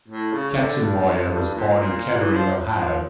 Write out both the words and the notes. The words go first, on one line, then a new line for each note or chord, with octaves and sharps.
Katzenmoyer was born in Kettering, Ohio.
A2
C#3
C#3
D3
G2
F2
G2
A#2
A#2
A#2
E3
F3
F3